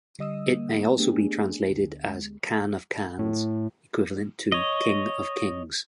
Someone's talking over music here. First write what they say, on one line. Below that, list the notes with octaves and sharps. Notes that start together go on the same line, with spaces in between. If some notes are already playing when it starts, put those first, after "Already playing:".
It may also be translated as Khan of Khans, equivalent to King of Kings.
D3 G3 D#5 D#6 E6
A#3
A3 B3 D4 G4 G#4
D2
G#3
A2
C#5 D#5